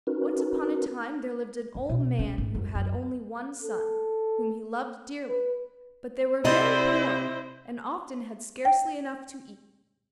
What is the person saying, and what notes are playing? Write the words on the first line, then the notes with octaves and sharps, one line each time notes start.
Once upon a time there lived an old man who had only one son, whom he loved dearly; but they were very poor, and often had scarcely enough to eat.
C#4 D#4 F#4 A#4 B4
F#2
B2
C#4
G#1
F#2
F#2
A4
B4
C3 E4 C5 D5 D#5
G5